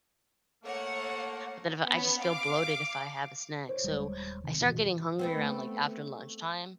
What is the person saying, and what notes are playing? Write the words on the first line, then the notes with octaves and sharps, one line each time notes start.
but then if I just feel bloated if I have a snack. So, I start getting hungry around, like, after lunchtime,
A3 A#3 C#5 F#5
B3 C#4
F5 D6
C5 C#5
D#1 G3 G#3
C3 D#3
E1 D#3 E3
A3 B3 C4